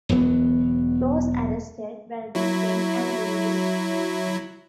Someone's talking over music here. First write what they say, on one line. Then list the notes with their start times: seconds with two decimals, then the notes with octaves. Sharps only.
Those arrested were detained and released.
0.09 E1 E2 F#3 B3
2.35 F#3 E4